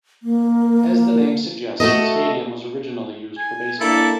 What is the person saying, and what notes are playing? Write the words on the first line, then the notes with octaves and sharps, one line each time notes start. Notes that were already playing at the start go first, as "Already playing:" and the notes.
As the name suggests, the stadium was originally used for baseball.
A#3
A3 F#4 A4 D#5
G#5
A#3 D4 E4 A4